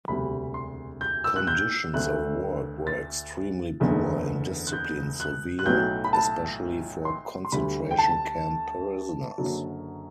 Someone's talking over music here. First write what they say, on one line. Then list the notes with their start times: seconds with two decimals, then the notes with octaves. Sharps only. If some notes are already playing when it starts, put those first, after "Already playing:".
Conditions of work were extremely poor, and discipline severe, especially for concentration camp prisoners.
0.08 E1 D2 C3 G3 B5
0.54 C6
1.01 G6
1.24 E6
1.36 F#6
1.47 G6
1.94 D2 D3 A3 F#6
2.87 A6
3.80 F#1 E2 D3
4.67 F#6
4.73 G6
5.20 F#6
5.59 F#6
5.66 B1 A2 F#3 G6
6.04 B5
6.13 A5
7.05 C6
7.45 C6
7.52 D2 D3 G3 B5
7.91 G5
7.98 A5
9.38 F#1 F#2 D3 F#3